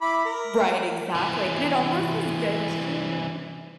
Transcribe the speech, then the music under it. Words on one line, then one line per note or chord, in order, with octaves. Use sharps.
Right. Exactly. And it almost is good to
E4 B5 D6
A#4
C3 E3